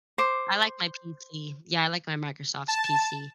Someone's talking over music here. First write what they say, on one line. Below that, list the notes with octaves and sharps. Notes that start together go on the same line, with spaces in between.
I like my PC, yeah, I like my Microsoft's PC.
C5 D6
A5